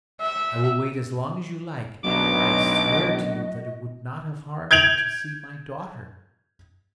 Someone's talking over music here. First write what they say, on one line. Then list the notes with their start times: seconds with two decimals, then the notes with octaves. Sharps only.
I will wait as long as you like, but I swear to you that it would not have harmed me to see my daughter.
0.21 E5
2.04 B1 F#2 B2 D4 F#4 D#5 D6
4.71 G6 G#6 D7 F7 F#7